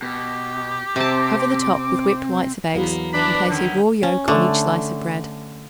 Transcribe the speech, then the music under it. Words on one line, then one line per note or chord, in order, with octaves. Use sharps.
Cover the top with whipped whites of eggs and place a raw yoke on each slice of bread.
B2 G4
C3 C4 A5 D6
E2 F#3 A#3 B3
E3 B3 D4 B5
D3 D#3 C#4 E4
C#4
D3 A3